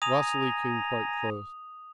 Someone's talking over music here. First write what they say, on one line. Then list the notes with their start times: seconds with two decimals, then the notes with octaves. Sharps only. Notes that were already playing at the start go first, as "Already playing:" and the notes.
Vasily came quite close.
0.02 G#5 A#5 D#6 F7